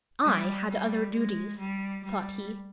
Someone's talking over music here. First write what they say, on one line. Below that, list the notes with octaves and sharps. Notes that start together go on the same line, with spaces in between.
"I had other duties," thought he.
G3
G3
G#3
G3
G3